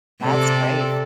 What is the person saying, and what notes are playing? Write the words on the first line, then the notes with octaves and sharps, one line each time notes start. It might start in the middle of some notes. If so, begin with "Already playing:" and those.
That's brave.
C3 A4 D5